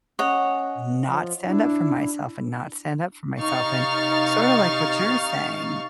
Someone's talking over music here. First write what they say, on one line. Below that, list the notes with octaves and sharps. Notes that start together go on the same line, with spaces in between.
not stand up for myself and not stand up for myself, and, sorta like what you're saying
C#4 C#5 D#5 F#5
F3
D4 E4
C3 D#4 F5 C#6 F6 A6